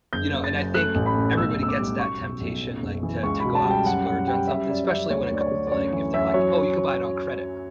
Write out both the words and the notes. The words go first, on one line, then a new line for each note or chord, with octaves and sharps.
You know, and I think everybody gets that temptation, like, to to go out and splurge on something, especially when it comes to, like if they're, like, "Oh, you can buy it on credit."
F#1 G6
F#1
A6
F#2
A3 F#6
A1
B5
A2
B1 E6
B1
E6
D6
G3
B2 C#6
B1
B1
F#2
F#1
E3
C#2 C#6
B2 B5
A5
G3
G5
F#2 F#5
F#2 F#5
G3 G5
F#2 E5
F#2 D5
D5
F#2 E5
D2 C#5
D2 D5
C#5
D3
D5
F#2 C#5
E3
F#2 E5
F#3 C#5